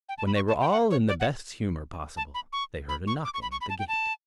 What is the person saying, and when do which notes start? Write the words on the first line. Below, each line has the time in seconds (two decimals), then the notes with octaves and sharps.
When they were all in the best humour possible, they heard a knocking at the gate.
0.09 G5
0.18 A5
0.27 B5
0.35 C#6
0.48 A5
0.61 G5
0.71 F#5
0.90 C#5
1.08 D5
1.20 F#5
2.17 A5
2.34 B5
2.53 C#6
2.89 B5
3.07 C#6
3.25 D6
3.34 C#6
3.42 B5
3.52 C#6
3.61 B5
3.69 A5
3.79 G5
3.88 A5